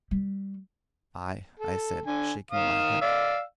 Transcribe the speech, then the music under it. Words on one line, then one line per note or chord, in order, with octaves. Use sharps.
"Aye!" I said, shaking my head.
G3
A4
D3 G#5
D#3 F5 D#6
D5 F5 E6